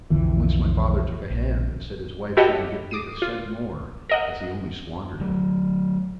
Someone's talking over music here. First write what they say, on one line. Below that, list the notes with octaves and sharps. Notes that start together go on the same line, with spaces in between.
Once my father took a hand and said his wife shouldn't give Dick a cent more, as he only squandered it.
B1 F2 D3 E3
A#1
E4 F#4 G4 A4 C#5 D#5
D6 D#6 C7 D#7
F4
A#4 D#5 F#5
F#3 A3